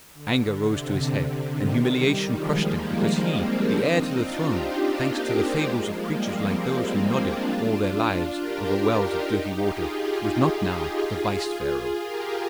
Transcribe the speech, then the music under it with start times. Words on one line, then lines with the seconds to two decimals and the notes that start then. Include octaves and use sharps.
Anger rose to his head, and humiliation crushed him because he, the heir to the throne, thanks to the fables of creatures like those who nodded all their lives over wells of dirty water, was not now the vice-pharaoh.
0.13 D3
0.60 C3
1.05 D3
1.50 C3 D#3
1.96 D#3 G3
2.27 F3 G#3
2.58 G3 A#3
2.87 F3 G#3
3.19 G#3 C4
3.48 A#3 D4
3.79 C4 D#4
4.10 D4 F4
4.40 D#4 G4
4.70 D4 F4
5.00 A#3 D4
5.31 G#3 C4
5.61 F3 G#3
5.92 G3 A#3
6.22 G#3 C4
6.53 G#3 C4
7.13 D4 F4
8.35 G4 A#4
8.65 G4 A#4
8.96 D#4 G4
9.27 D#4 G4
9.57 F4 G#4
9.88 F4 G#4
12.00 G4 A#4